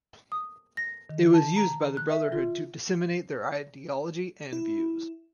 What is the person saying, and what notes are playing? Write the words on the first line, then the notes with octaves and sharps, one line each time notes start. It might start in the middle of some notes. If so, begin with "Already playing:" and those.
It was used by the Brotherhood to disseminate their ideology and views.
D#6
A#6
D#3
A5
A#5
F#6
E5
F4
E4